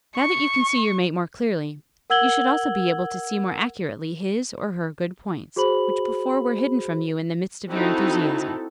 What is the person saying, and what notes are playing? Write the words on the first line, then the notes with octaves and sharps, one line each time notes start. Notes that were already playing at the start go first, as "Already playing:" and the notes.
Now that you can see your mate more clearly, you should also be able to see more accurately his, or her, good points, which before were hidden from you in the mist of your enthusiasm.
C#6
A#4 F#5 E6 G#6 F#7 G7
F#4 G#4 C5 B5 F#7
C4 D#4 E4 F#4 A4